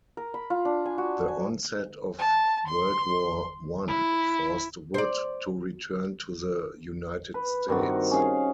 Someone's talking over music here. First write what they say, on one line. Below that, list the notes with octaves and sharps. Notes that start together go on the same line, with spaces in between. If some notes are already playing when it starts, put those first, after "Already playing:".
The onset of World War One forced Wood to return to the United States.
A#4
B5
F4
D4
G#5
F#4
G#5
A5
C6
E4
C5 D5
B4
G2 D#3 C4 F#4
C#4 G#4 F5